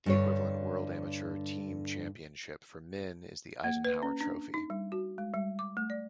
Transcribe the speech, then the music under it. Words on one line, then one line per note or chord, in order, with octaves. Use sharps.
The equivalent "World Amateur Team Championship" for men is the Eisenhower Trophy.
G2 D3 C#5
A#3
B4
C#4
D4
D#4
G3
F#4
G#3
G3
D6
A3
D5